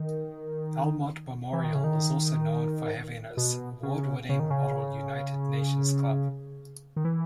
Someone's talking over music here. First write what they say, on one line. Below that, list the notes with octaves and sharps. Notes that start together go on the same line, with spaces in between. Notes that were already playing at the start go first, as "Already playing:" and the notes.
Elmont Memorial is also known for having its award-winning Model United Nations club.
Already playing: D#3
E3
D#3
C#3
D#3
B2
C#3
C#3
D#3
C#3
D#3
E3